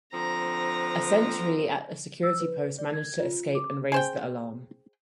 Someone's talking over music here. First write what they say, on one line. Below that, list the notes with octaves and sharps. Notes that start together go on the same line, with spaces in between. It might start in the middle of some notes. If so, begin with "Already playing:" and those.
A sentry at a security post managed to escape and raise the alarm.
D3 F3 C4 A#5
E6
B4
D5
G#6
F4
D6
G#4 C5 G5